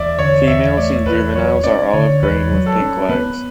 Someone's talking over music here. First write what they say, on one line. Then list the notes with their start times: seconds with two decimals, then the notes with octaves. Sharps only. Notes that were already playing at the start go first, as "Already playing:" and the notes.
Females and juveniles are olive-green with pink legs.
Already playing: E2 D5 E5
0.19 D3 C#5
0.47 E2 E5
0.77 A3 D5
1.06 E2 B4
1.35 F#3 C#5
1.64 C#4 D5
1.93 D3 C#5
2.22 E2 B4
2.51 F#3
2.66 A4
2.80 C#4
3.09 B3 B4